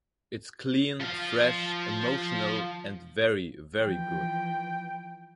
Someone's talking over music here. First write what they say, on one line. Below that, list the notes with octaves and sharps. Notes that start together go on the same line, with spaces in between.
It's clean, fresh, emotional and very, very good.
F3 F5
E3 F3 G5